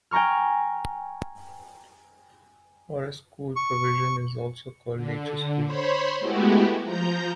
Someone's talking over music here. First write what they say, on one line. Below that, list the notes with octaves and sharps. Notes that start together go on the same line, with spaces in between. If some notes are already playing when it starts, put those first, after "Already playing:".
Forest school provision is also called "nature schools".
G5 G#5 A#5 C#6 F6
C#6
D3
C5 C#5 B5 C6
G#3 A3 B3 E4 F#4 G4
F3 A#5 G6